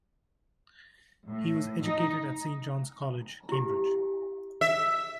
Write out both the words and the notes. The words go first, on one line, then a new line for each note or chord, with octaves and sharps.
He was educated at Saint John's College, Cambridge.
A2
D#4
E4 G4
E5